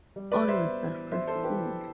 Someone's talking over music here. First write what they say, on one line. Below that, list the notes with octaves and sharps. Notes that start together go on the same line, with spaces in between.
All were successful.
G3
B4 D5
G3
C5 E5
B3
E3
E3 C5 E5
A4 C5
E3
G4 B4
E3